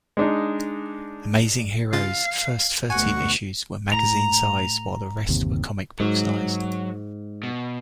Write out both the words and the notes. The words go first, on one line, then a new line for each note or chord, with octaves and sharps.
"Amazing Heroes"' first thirteen issues were magazine-sized, while the rest were comic book-sized.
G#3 D4 D#4
C#3 F4 F5 A6
D2 B2 F#4 F#5 G#5 C#6
A2 A#5
G1 D#2 C3
G#2 F#3
B2